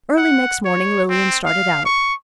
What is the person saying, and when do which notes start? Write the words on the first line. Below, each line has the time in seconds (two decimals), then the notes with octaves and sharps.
Early next morning Lilian started out.
0.18 F#5
0.65 C#5
1.10 C4
1.46 F5
1.86 C#6